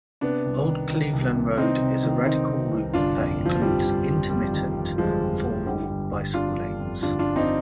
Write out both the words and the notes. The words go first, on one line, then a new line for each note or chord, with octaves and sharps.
Old Cleveland Road is a radial route that includes intermittent, formal bicycle lanes.
C3 B3 D4
C2
D#3
D#3
C2
C3
C2 C4 D#4
C3
D#3
D#3 C4 D#4
C3
C2
G1 D4 F4
F2
G1
F3
F2 G3
G1
G1
F2 G3
D#3
F2
G1 F3 G#3
F2
G1
D3 G3
G1
G1
D3 D4 F4
D3
F2
G1 D4 F4
D4 F4
G1
C4 D#4